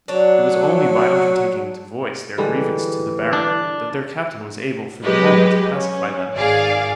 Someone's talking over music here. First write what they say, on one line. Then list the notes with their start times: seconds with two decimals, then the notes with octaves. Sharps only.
It was only by undertaking to voice their grievance to the Baron that their captain was able for the moment to pacify them.
0.08 F#3 D4 C#5
2.38 D3 E3 G3 G#3
3.33 D4
5.04 F#3 G#3 G4 B4 D#5
5.74 C#4
6.36 G#1 G#4 D5 F5